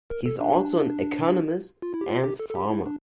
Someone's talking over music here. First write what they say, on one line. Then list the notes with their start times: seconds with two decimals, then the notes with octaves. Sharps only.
He is also an Economist and Farmer.
0.10 A#4
0.26 A4
0.40 D4
0.55 D4
1.82 F4
1.94 E4
2.01 G4
2.09 F4
2.24 G4
2.39 A4
2.50 A4
2.55 G4
2.70 E4
2.86 D4